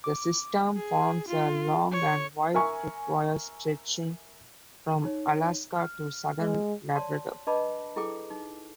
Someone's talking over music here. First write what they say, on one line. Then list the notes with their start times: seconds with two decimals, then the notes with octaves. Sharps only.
The system forms a long and wide "tripwire" stretching from Alaska to southern Labrador.
0.04 D6
0.77 G#4
1.28 F4
1.92 C#5
2.54 A#4 E5 G#5 C#6
5.04 D#4 C#5
5.76 F6
6.40 G#3
6.95 C#5 D5 A5 C6
7.47 D4 B4 D#5 A5 B5 D6
7.96 E4 G#4 A4 G5 D6
8.30 D#4